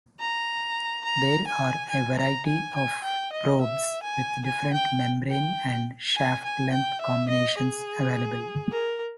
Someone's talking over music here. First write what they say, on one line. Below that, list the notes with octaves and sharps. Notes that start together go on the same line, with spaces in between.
There are a variety of probes with different membrane and shaft length combinations available.
A#5
A#5
G#5
G#5
A#5
G#5
G#5
G5
D#5
E5
G#5
G#5
G5
G5
G#5
G#5
G5
E5
D#5
G#4
A#4